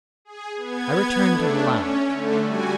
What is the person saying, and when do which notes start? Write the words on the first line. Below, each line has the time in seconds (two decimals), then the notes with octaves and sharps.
I returned to the lounge.
0.25 G#4
0.56 B3 G#6
1.24 A3 D4
1.62 C#4
2.07 D3 A3
2.42 G3 F#4 G#5